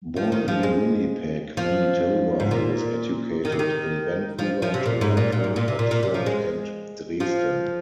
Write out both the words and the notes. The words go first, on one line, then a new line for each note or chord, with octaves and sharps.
Born in Winnipeg, Manitoba, he was educated in Vancouver, Toronto, Oxford and Dresden.
F3
D#3
F3
G#3
F3
G#2
A#2
D#3
C3
D#3
F3
F3
C3
A#2
G#2
A#2
A#2
G#2
A#2
C3
A#2
A#2
C3
F3
G#3
F3